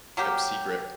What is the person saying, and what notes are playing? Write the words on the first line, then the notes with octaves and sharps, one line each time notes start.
kept secret.
F#3 A#3 G4